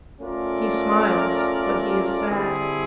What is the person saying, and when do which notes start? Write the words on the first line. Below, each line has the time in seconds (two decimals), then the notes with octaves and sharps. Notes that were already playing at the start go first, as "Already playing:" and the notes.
He smiles, but he is sad.
0.20 A3 C#4 F4 A#4 D5
2.28 D3 G3 C4 E4 G#4